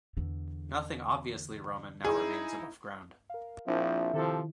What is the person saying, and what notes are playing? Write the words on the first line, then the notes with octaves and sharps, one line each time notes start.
Nothing obviously Roman now remains above ground.
E2 D3
D#4 E4 G#4
A#4 F5
A#1 A#2 F3 C4 D4 E4 E5
C3 D#3 F3 E4 A4